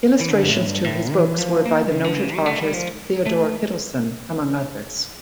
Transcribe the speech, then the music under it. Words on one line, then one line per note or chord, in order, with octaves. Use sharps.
Illustrations to his books were by the noted artist Theodor Kittelsen among others.
E3
D3
G2
A2
G2
A2
E3
F3
A#3
C#3
D3
C#3
G3
A3
G3
F3
A3